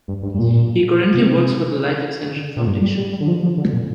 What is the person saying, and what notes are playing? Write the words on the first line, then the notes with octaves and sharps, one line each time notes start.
He currently works for the Life Extension Foundation.
G2
G2
G2
A#2
C3
D3
A#2
G2
G3
G3
G3
D3
F3
F3
D3
A#2